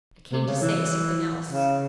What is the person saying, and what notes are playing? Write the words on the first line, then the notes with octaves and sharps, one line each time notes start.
'I came to say something else.'
C3
C#3
E3
C#3